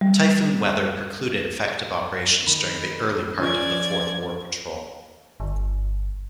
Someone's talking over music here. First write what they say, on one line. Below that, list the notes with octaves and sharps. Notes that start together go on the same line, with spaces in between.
Typhoon weather precluded effective operations during the early part of the fourth war patrol.
G3
D#3 B5 E7
F3 C#4 F4 D5 G#6
G1